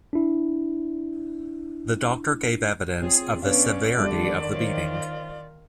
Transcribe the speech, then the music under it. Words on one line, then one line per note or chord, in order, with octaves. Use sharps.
The doctor gave evidence of the severity of the beating.
D4 E4
C4 F4 G#4 C#5
B2 B3 C#4 D4 B4 C#5 D5 F5
D3 D#3 F3 G3 E5
F4 C5 C#5